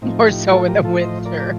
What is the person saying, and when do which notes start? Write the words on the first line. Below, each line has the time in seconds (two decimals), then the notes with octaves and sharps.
more so in the winter.
0.02 A2 F3 C4 D#4
0.26 D#4 G4
0.51 F4 A4
0.68 G4 A#4
0.84 F4 A4
1.01 C5 D#5
1.25 A#4 D5
1.40 D5